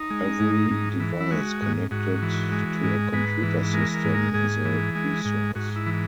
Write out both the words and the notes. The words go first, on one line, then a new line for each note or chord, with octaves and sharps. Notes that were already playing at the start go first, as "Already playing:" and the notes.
Every device connected to a computer system is a resource.
Already playing: D#4
G#3
G#2
G#2
E3
E4
G#3 F#4
G#2
G#2 F#4
E3
G#3
G#2
G#2 B4
E3
G#3 A#4
A#4
G#2
A#4
G#2 G#4
E3
G#3
G#2
G#2 F#4
E4
E3